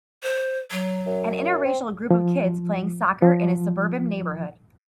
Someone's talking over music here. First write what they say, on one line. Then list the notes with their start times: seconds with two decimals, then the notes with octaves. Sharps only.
An inter racial group of kids playing soccer in a suburban neighborhood.
0.23 C5
0.71 F#3
1.06 F#2
1.65 C4
2.11 F3
3.22 F3